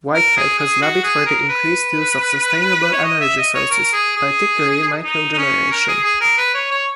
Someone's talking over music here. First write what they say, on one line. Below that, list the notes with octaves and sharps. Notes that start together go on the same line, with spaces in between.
Whitehead has lobbied for the increased use of sustainable energy sources, particularly microgeneration.
A#4
G#4
G#4
F#4
G#4
A#4
B4
C#5
D#5
E5
D#5
C#5
A#4
G#4
G#4
D#4
D#4
C#4
A#4
G#4
G#4
A#4
B4
C#5
C#5